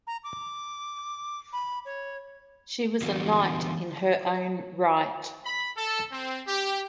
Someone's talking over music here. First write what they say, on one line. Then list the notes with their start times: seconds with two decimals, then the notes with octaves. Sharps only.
She was a knight in her own right.
0.07 A#5
0.24 D6
1.53 B5
1.85 C#5
3.02 D3 E3 G3 A#3 B3 F#4
5.45 B5
5.76 A4
6.11 C4
6.47 G4